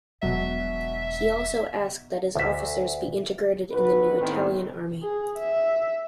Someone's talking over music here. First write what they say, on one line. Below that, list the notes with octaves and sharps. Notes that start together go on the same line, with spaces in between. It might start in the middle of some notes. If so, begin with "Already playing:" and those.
He also asked that his officers be integrated in the new Italian Army.
E1 B2 D3 F#3 E5
D2 E5
B1 F#4 B4
A2 D#3 B3 C4 C5
G#4
E5